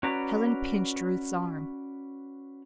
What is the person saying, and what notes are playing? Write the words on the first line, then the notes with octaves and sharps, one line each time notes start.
Helen pinched Ruth's arm.
C#4 F#4 B4 D5 A#5